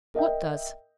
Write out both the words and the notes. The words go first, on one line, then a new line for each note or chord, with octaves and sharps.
"What does?"
A#4 D#5 E5 G5